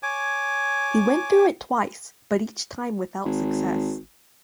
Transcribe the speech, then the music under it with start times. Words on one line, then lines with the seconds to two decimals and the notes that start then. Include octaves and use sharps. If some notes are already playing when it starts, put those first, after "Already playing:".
He went through it twice, but each time without success.
0.03 C#5 G#5 D6
3.25 G#1